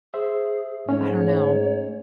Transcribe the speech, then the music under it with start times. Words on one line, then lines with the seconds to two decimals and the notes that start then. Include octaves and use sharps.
I don't know.
0.14 G#4 C5 E5
0.89 G#2 A3 C#4 C#5